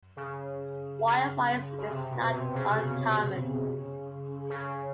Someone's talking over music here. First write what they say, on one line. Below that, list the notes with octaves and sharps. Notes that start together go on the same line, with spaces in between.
Wildfire is not uncommon.
C#3
C#3
C3
B2
C3
C#3
C#3
C#3